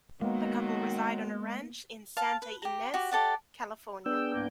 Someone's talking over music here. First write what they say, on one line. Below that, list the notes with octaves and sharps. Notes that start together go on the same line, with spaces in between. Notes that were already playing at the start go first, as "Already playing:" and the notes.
The couple reside on a ranch in Santa Ynez, California.
D#3 F#3 G#3 A#3 B3 F#4
F5 A5
B4
G4 A#5
F#4 G4
G4 A4 D5 F#5
B3 D4 G#4 G5 E6
C2 G#2 A#3